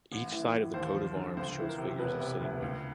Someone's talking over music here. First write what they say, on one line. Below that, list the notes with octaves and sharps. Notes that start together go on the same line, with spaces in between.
Each side of the coat of arms shows figures of sitting women.
A1
E3
A2
D#2 C5
F3
D3
C#2 C5
E3
A#4
C3
E1 B4
C3
D2
C#2